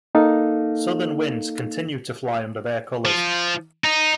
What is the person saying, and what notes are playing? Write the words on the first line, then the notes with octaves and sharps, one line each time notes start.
Southern Winds continued to fly under their colours.
A#3 D#4 A4 F5
F3
D#4